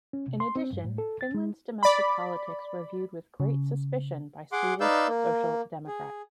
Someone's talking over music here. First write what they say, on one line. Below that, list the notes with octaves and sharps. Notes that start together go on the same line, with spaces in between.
In addition, Finland's domestic politics were viewed with great suspicion by Swedish Social Democrats.
C#4
C3
C6
C4
G2
A2
A4
A6
G#3
D5 B5
C#3
G#4 F#5 C6 D6
D#4 B4 D5 F5 E6 G6
A#3
G#4